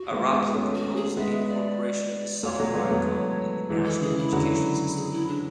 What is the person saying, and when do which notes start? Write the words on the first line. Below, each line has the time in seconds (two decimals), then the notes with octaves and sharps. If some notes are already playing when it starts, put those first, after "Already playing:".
Araki proposed the incorporation of the "samurai" code in the national education system.
Already playing: F#4
0.11 G#3 B3
0.33 G#3 B3
0.54 A3 C#4
0.75 F#4
0.96 G#4
1.17 G#3 B3 E5
1.49 D5
2.43 F#3 A3 C#5
2.60 F#3 A3
2.74 G#3 B3
2.91 F#3 A3
3.69 E3 G#3
3.85 A4
4.01 C#3 E3 G#4
4.17 E4
4.33 D3 F#3
4.96 G#4
5.12 E4
5.28 D4